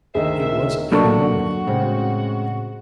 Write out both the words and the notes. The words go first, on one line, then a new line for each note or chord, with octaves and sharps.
It was an enormity.
D2 D#3 G#4 A#4 C5 D#5 E5
F#3 A#3 D4 F#4 A4 C#6
A2 C#3 G#3 C4